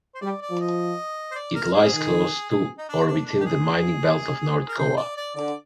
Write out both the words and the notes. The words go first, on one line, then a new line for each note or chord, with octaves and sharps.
It lies close to or within the mining belt of North Goa.
C5
G3 D5
D5
F3
D#5
C5
D5
A#4
G#4
D#3
G#4
D#4
D4
C3 D4
D4
D#3
G4
G#4
A#4
C3 C5
D5
D5
D3 D5